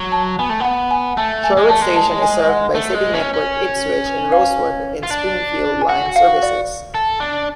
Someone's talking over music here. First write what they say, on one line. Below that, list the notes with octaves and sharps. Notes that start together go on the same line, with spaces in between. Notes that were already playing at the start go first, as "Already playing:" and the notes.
Sherwood station is served by City network Ipswich and Rosewood and Springfield line services.
Already playing: F#3
A5
B3 G#5
A3
B3 F#5
G#5
A3 A5
G#5
G#3
A3 A5
G#3
A5
G#5
F#5
A3
G#3
C#4
C#4
F5
F4
D4
G#5
F#4 F#5
F#5
F5
D5
A4
D4